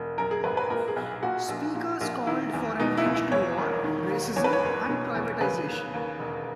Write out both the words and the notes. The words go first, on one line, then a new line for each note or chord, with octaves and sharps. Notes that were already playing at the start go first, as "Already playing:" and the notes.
Speakers called for an end to war, racism and privatisation.
Already playing: E1
F#2 A#4
G#4
G#1 B4
B4
A#2 A#4
G#4
B1
A#2 F#4
A#1
A#2
A#1
D#3 E4
E2
B2 D#4
E4
C#2
E4
E2 C#5
E1
D#3
D#2
E2 C#5
B4
C#5
F#1
B2
E2
C#3 B4
D#2
D#2
E1